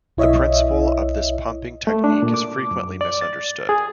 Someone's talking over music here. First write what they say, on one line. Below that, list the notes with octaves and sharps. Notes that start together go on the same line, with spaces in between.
The principle of this pumping technique is frequently misunderstood.
B1 E4 C#5 D#5 E5
A3
D4
A#2
D6
F#2
D5
A6
G#4